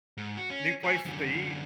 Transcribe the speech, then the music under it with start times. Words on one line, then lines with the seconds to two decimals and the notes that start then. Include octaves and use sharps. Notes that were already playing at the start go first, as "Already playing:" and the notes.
New places to eat,
0.17 G#2
0.37 F#4
0.50 C#4
0.84 C5 G#5
1.05 F#2 D3